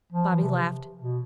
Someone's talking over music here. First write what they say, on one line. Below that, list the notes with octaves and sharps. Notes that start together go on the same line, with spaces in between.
Bobby laughed.
F3
E3
C3
B2